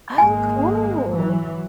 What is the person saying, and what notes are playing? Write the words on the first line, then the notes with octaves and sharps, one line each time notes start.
Oh, cool!
G#1 G#3 A#3 G#5
E3 F#3